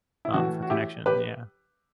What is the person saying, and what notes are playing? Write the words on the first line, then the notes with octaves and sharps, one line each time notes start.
um, for connection, yeah.
E4
A2 E3 A3 F#4
F#4
E4 G4
G4 B4